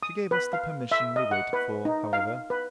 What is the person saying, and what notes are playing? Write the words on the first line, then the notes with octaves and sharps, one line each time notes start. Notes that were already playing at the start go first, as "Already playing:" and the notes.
She gave us the permission we waited for, however.
D#6
B4
F5
E5
D#5
F#5
B4
D#4
F5
B4